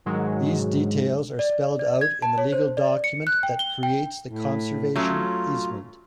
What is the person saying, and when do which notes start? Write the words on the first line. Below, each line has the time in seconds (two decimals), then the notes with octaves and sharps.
These details are spelled out in the legal document that creates the conservation easement.
0.06 G#2 D#3 F#3 G#3
1.39 D5
1.79 D5
2.01 G#6
2.22 A5
2.38 C#5
2.53 C5
2.77 D5
3.04 C#7
3.27 F#6
3.43 G5
3.59 G7
3.83 G5
4.27 A2
4.96 F#3 A3 C#4 F4